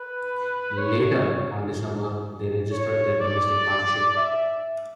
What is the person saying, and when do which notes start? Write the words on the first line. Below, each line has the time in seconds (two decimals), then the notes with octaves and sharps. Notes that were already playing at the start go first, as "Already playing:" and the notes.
Later on December they registered their domestic partnership.
Already playing: B4
0.78 C#5
2.72 C#5
3.20 D5
4.17 E5